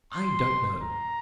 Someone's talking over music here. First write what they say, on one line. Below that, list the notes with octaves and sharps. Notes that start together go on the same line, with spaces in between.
I don't know.
C6
A#5